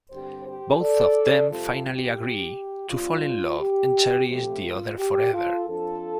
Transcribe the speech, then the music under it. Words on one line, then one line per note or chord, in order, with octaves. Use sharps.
Both of them finally agree to fall in love and cherish the other forever.
G2 D3 G3 C4 G4 C5
G4 C5
A4 D5
F2 C3 G3 C4 F4 A4
G4
G2 G3 C4 F4
G4
C3 F3 A3 G4
F4
G4
F4 A4
F2 F3 D4 F4 A4